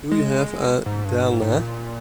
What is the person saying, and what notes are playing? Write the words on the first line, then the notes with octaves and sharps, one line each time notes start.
Do you have a Delna?
G#3
G#2
G2
G#2
G#2
A#2